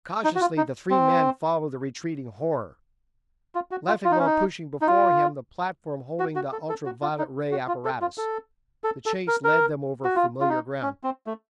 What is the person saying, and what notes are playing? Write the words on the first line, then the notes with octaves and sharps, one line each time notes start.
Cautiously the three men followed the retreating horror, Leffingwell pushing before him the platform holding the ultra-violet ray apparatus. The chase led them over familiar ground.
D#4
F#4
F4
D#4
C4
F4
F#4
F4
F4
D#4
C#4
D#4
D#4
F4
F#4
F#4
A4
A4
F#4
F4
D#4
F#4
F4
A4
F4
A4
A4
A4
A#4
A#4
F#4
F4
F4
D#4
C#4
C4
A3